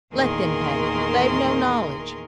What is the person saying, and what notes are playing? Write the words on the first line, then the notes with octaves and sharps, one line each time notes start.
Let them pay--they've no knowledge.'
E2 A#2 D#3 G#4 A#4 C6